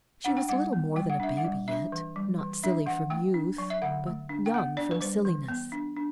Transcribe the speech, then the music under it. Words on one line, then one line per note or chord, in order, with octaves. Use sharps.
She was little more than a baby yet, not silly from youth, but young from silliness.
D4 F#5
G5
G3 F#5
B3
G3 G5
F#5
D4 E5
F#5
G3
D4 E5
E3
G3
E3
D4 E5
E3 F#5
A3 G5
D4
F#3
E5
D3 F#5
A3
D4
G5
B3 F#5
D4 D5
B4
G3 C5
E3
B3
D4
D4